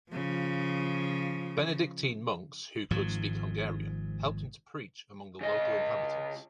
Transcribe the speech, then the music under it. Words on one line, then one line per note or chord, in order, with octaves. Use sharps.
Benedictine monks who could speak Hungarian helped him to preach among the local inhabitants.
C#3 F3
G#1 G#2 F3
C#3 D#5